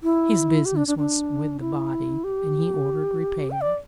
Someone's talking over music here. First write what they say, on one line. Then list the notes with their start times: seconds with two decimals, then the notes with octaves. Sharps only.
His business was with the body, and he ordered repairs.
0.03 E4
0.65 G4
0.76 D4
0.87 D4
0.98 D4
1.60 E4
2.24 G4
3.51 G5
3.61 D5